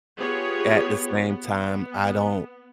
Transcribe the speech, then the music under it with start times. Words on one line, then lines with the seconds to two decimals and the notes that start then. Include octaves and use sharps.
At the same time, I don't
0.18 B3 F4 G4 G#4 C#5
1.27 B3